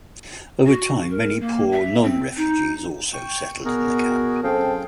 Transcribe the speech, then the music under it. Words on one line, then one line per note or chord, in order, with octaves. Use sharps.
Over time many poor non-refugees also settled in the camp.
F#4
A#4
A#3
E5
C4
D#4
G5 C#6
B2 F#4 G#4 A#4
F#2 C4 G#4 A4 F5 G5